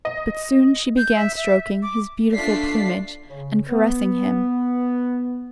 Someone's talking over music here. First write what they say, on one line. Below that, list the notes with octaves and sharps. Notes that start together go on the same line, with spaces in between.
But soon she began stroking his beautiful plumage, and caressing him.
D#5
G6
E5
E5
D6
A3 D4 F4 D5 B6 C7
C#3
B3